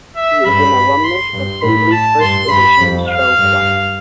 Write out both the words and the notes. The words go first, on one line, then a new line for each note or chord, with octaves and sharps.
He is an alumnus of Findlay First Edition Show Choir.
E5
G2 B5
C6
G2
A2 B5
A5
G2 C6
G2 B5
F2
F5
G2